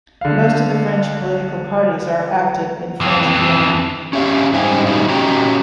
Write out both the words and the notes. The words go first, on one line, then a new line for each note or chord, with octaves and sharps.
Most of the French political parties are active in French Guiana.
D3 F5
F2 E3
C#4 G4 E5 F5
G#2 G3 D#4 C5 G5 G#5
A#2 D#3 G3 D#4 E4
F#3 C#4 G4 D#5 G5 A#5